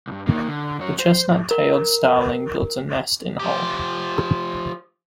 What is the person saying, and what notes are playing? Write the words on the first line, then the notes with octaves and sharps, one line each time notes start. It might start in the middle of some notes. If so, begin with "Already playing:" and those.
The chestnut-tailed starling builds a nest in hole.
C2 G2
A#3 D#4
D3
F#2 C#5
C5
A2
A#4
F3 G4